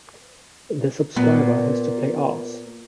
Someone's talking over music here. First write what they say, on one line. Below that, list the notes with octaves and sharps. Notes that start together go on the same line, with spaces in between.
The subscriber has to pay Rs.
A#2 B3